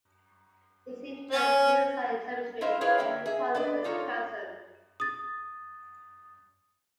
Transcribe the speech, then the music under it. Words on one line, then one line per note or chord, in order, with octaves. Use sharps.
He is interred at Hillside Cemetery, Ripon, Wisconsin.
C#4
E4 A#4 C5 D#5 F5
E4 G#4 A#4 B4 C#5 F5
D3 A#3 B3 E5 G5
G#4 E5
D4 B4 D5 D#5
D#4 F4 A4 A#4 C#5
D#6 A6